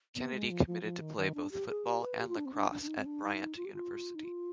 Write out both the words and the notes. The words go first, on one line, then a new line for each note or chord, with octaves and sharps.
Kennedy committed to play both football and lacrosse at Bryant University.
B3
G#3
F3
F3
F3
D#3
D#3
D4
G4
G#4
G4
B4
G4
F4
D4
C4
D4
D4
D4
D#4
C4
D4
D#4
F4
G4
F4
D#4
F4